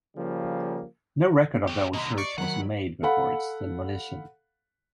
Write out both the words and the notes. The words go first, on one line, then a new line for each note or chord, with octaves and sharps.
No record of the old church was made before its demolition.
C#3 F3 G3 A#3
C#4 G4
B2 D3 D#5 A#5 B6
D5 C#6 C7 C#7
D#3 F#3 F#5 B5
A4 F5 F#5 B5